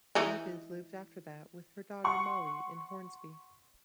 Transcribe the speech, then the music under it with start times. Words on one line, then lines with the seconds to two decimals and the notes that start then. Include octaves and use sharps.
David lived after that with her daughter Molly in Hornsby.
0.15 E3 G#3 D#4
2.04 F#5 C6 C#6